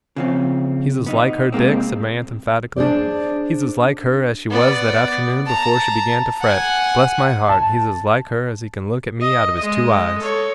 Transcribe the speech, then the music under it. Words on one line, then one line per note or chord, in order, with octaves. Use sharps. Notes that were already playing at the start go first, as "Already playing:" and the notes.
'He's as like her, Dick,' said my aunt, emphatically, 'he's as like her, as she was that afternoon before she began to fret--bless my heart, he's as like her, as he can look at me out of his two eyes!'
C#3 F3 C4
B3 D#4
C3 G#3 A#3 C4
D4 G#4 C5 D5
B3 D5
A5 A#5
F#5 G#5
A5
D#5
G#3 D#5
A4 C#5